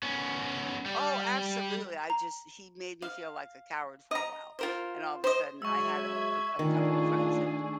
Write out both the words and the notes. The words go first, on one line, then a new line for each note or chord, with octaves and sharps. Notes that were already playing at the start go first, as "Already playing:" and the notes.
Oh, absolutely, I just he made me feel like a coward for a while, and all of a sudden I had a a a couple of friends that
B3 C#4
G3
A#5
F5
D#5 A#5
F4 A#4 C5
C5 D#5
F#3 G#3 E5 C#6 E6 G#6
A#2 D#3 A3 D4 F4 G#4